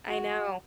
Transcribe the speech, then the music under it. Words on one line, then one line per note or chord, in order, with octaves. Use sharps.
I know.
F#4